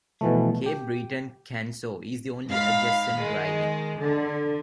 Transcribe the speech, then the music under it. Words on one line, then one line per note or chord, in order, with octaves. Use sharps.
Cape Breton-Canso is the only adjacent riding.
B2 E3 F3 A3
G4
G#2 F5 B5
D#3 G#3
D3